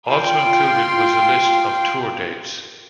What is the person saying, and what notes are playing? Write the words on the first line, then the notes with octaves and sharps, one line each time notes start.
Also included was a list of tour dates.
F4 G5 C6